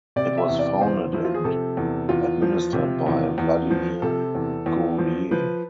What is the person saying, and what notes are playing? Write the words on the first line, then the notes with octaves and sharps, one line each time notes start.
It was founded and administered by Vladimir Guerrier.
C3 D5
E5
E2
D5
E2 C5
F3 E4
F4
G#4
C3 A4
E2
E2 F4
F3
C3
E2
E2
F3
C3 A4
E2
E2
F3
F3 B4